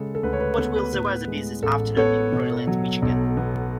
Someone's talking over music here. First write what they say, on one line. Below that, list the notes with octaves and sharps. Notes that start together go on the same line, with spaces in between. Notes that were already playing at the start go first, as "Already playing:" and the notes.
What will the weather be this Afternoon in Brilliant Michigan?
Already playing: C#3 G#3 A4
A4
D2 B4
C#5
B4
B3 A4
B4
A2 B4
G#3
A1 A4
B3 A4 C#5
B2
F#3
B1
B3